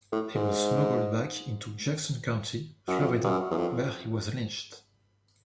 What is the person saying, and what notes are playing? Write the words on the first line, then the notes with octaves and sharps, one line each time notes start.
He was smuggled back into Jackson County, Florida, where he was lynched.
A2
G#2
F#2
F2
G2
F#2
E2
F2